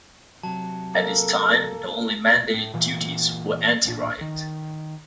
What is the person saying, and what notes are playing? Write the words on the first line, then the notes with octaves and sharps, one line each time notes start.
At this time the only mandated duties were anti-riot.
C3 F#3 A5
A#3 A4
A2
A#2 E3
A1 A#2 D4
D#3